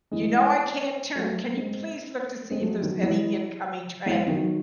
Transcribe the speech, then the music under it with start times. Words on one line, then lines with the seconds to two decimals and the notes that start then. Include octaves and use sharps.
you know I can't turn, can you please look to see if there's any incoming traffic?"
0.11 E3 G#3
1.15 F#3 A3
1.57 G#3 C4
2.50 G#3 C4
2.61 F#3 A3
2.82 D#3 F#3
3.02 E3 G#3
4.06 E3 G#3
4.26 D#3 F#3